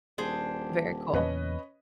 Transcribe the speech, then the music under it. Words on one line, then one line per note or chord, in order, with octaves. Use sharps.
Very cool.
D#1 D4 G#4 C5
E2 A#2 C#3 C#4 B4 D#5